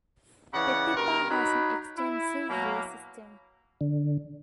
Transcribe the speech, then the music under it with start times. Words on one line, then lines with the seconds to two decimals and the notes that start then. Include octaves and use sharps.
Petipa has an extensive ray system.
0.54 C#3 E3 C#5 D5 F#5
0.96 G2 B2 A#4
1.30 F#3 D#4 B5
1.96 E4
2.50 B2 F#3 A#3
3.81 D3